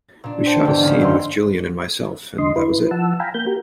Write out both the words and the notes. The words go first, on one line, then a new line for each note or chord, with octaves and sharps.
We shot a scene with Gillian and myself, and that was it.
A#2 D4
G4 C5 G5 A5
E2 G#2 D3
G1 D#2 C#4 F5 G6
G#1 G2 D#3 A3 C4 C6
E2 D3 D#5 C6
E4 B4
F3 F#5 A5 E6
F5 G5 G#5 A#5 B5
A#3 G6
F#4 G4 A#4